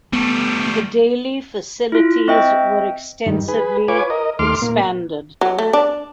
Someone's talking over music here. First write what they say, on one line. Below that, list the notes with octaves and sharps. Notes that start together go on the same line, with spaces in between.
The daily facilities were extensively expanded.
G3 A3 B3
E4 F4
C4 D#5 E5 G5
G2 D#3
G#4 B4
F4 B4 C#5 G#5 D6
A#4 D#5
D#2 A3 C6 D6 F6
A#2 A#3
F#3
A3
D4